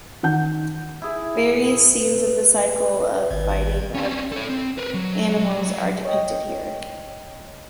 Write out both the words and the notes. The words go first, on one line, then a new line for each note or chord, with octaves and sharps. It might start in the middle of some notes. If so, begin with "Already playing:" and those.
Various scenes of the cycle of fighting of animals are depicted here.
D#3 F#5 G6
E4 G#4
B4
G#1
C4 C#4
A4 C#5
C4
A#4 B4
F#3
C#5 D#5 G5